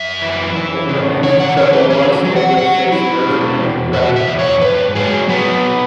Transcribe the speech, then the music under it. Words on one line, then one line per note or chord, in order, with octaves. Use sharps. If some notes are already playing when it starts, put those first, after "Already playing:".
Over the next several months they would face murder and repression.
Already playing: F#2 E5
E3
E3
C#3
E3 C#5
F#5
E3 C#5
B4
F#3 G#4
F#3
F#5
F#3 F#5
F#3 E4
B2
E2
B2 F#4
E5
E2
C#5
G#2 B4
F#3 G#4
F#3 B3